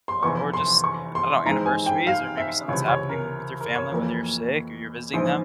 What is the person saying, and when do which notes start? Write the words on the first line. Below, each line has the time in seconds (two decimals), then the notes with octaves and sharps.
or or just, I don't know, anniversaries or maybe something's happening with your family, whether you're sick or you're visiting them.
0.08 C6
0.23 F1 E2 E3 C#6
0.54 C6
0.84 C#6
1.15 C6
1.45 G#2 E3 G#3 C4 A#5
1.66 G#5
1.86 G5
2.07 F5
2.37 E5
2.68 C#2 C3 E3 C#5
2.88 C#5
3.09 A#4
3.61 A#4
3.76 C#5
3.91 F2 E3 A#3
5.13 A#1 G#2 E3 C5